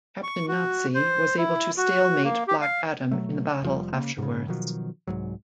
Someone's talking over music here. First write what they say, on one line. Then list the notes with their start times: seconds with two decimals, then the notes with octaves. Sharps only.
Captain Nazi was able to stalemate Black Adam in the battle afterwards.
0.23 C#6
0.48 F#4
0.94 C5
1.38 E4
1.77 F#4
2.25 A#3
2.48 G4
2.61 F5
3.11 B2 F#3 A3
3.63 F1 F3 G3
3.92 C#3 A#3
4.18 G#2 C#3
4.48 B2 D#3 F3 F#3
5.07 C2 F2 G#2 F#3